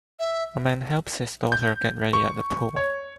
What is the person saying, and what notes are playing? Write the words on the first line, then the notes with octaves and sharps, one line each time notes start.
A man helps his daughter get ready at the pool.
E5
G6
C#6
C#5